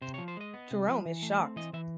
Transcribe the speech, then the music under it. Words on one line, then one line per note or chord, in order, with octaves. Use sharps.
Jerome is shocked.
C3 C5
C#5
F3
C5
G#3 D#5
B3
C3
F3
E3
A3
C4
E3 D#5
E3 E5